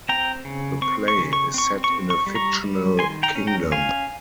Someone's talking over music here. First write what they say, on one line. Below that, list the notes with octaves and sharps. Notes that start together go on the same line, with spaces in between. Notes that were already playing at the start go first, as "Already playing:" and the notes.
The play is set in a fictional kingdom.
C4 G5 A#5
C#3
C4 C#6
C#6
C#3
C#6
C4 C#6
C#6
C4
C#6
G3
A#5 C#6
G3
D#3 G#5 C6
G5 A#5
C#4
G5 A#5
C#4 F5 G#5